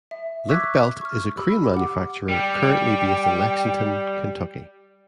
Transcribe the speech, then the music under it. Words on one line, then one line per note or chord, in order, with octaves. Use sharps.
Link-Belt is a crane manufacturer currently based in Lexington, Kentucky.
E5
C#6 D6 E6 F#6 G#6 B6
C#6 F6
G4 B5 E6
F#5 D6
G3 G5